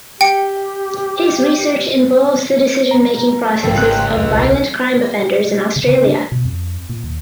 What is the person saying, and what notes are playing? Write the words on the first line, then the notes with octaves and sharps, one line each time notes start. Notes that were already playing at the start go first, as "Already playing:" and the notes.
His research involves the decision making processes of violent crime offenders in Australia.
G4 G5 C#7
A#5
A#1 F2 G#2 C#3 A4 G5
G#1 C#2 C4 F#6
D1 F#2 A#2 A4
D1 B1
C#3
C#3
D4
B2
F2
A#2
D#2